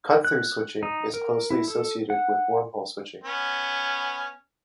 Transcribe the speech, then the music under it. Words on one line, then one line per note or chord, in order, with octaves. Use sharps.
Cut-through switching is closely associated with wormhole switching.
F#6
D#4
A#4
E4
A4
F#5
B3 C#4